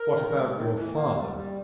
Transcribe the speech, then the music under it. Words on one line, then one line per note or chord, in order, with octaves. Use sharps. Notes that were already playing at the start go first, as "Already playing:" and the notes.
"What about your father?"
Already playing: A#4
D#3
G#3
D#3
E3
A#3
G3
G3